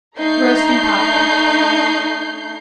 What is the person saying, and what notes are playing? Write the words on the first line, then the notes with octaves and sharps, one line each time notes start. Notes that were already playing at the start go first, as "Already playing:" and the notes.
Roasting Coffee.
A3 D4 D#4 A#5 G6 C7